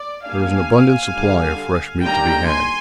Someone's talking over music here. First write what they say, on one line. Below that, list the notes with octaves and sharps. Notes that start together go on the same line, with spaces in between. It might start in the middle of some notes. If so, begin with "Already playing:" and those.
There was an abundant supply of fresh meat to be had.
Already playing: D5
G3 A#3 D4 F5 G#5
D3 G3 D4
D#3 G3 A#3 D4 G5 A#5
G#5 C6